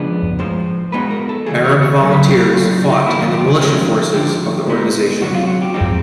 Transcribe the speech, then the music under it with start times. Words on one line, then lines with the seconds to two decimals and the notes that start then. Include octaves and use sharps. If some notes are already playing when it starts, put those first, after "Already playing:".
Arab volunteers fought in the militia forces of the organisation.
Already playing: C#3 F3 G#3 B3 D4
0.39 A2 F3 G#3 C5
0.92 B2 G#3 B3 D#4 B4
1.11 A#4
1.29 A4
1.46 C#3 E3 A3 G#4
1.64 C#5
1.82 C#5
2.00 B2 F#3 A3 A#4
2.13 B4
2.26 G4
2.40 F#4
2.53 A2 F#3 A#3 F4
2.71 D#4
2.89 D#4
3.06 G#2 D#3 F#3 A#3 D#4 E4
3.21 F4
3.33 G4
3.47 G#4
3.60 A2 F3 G#3 C#4 G#4
4.13 D2 D3 F3 G#3 G4
4.68 B2 G#3 B3 D#4
5.22 D2 C3 D#3 F#3 F#4
5.35 F4
5.47 F#4
5.62 G4
5.74 F3 G#3 C4 D#4 G4